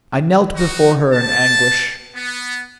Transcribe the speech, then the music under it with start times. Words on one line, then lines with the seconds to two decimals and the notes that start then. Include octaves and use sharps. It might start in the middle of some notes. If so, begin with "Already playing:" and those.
I knelt before her in anguish.
0.56 D#4 F#4
1.13 G3 A5
2.16 B3